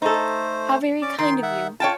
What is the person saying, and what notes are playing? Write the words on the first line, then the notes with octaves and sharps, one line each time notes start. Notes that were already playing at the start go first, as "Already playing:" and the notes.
How very kind of you!
A3 D#4 A4 C5
C#4 D5 D6
D#3 C6
E5 F#5
F4 C#5 G5 A5